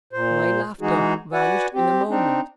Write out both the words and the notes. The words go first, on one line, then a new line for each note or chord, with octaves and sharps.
My laughter vanished in a moment.
A#2 C5
E3 G#3 D#4 F#4 G#4
F#4 B4 D5 F#5 G#5
C4 G4
C4 D4 D#4